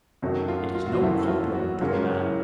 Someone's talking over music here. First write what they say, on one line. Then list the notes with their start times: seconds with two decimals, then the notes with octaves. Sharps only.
It is no compliment to a man.
0.22 F#2 D#3 F#3 A3 F#4
0.48 F4
0.75 F4
0.86 F#4
0.93 F4
1.01 F#2 D#3 F#3 A3 E4
1.21 F#4
1.28 F4
1.55 F#4
1.81 C#3 F#3 A#3 C#4 F4
2.20 E4